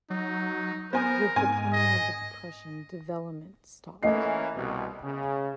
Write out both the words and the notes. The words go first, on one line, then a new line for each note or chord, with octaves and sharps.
With the coming of the Depression, development stopped.
F#3 D#4
B3 A#4 C5 G#5
G#2 G#5
D#5
E3 A3 A#3 C#4 D#5 C7
C2 B2
C#3